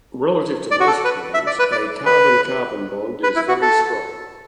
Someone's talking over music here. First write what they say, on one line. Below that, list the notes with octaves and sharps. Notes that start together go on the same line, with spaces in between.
Relative to most bonds, a carbon-carbon bond is very strong.
D5
F#4
A4
B4
E5
D5
B4
D5
B4
B4
E4
F#4
A4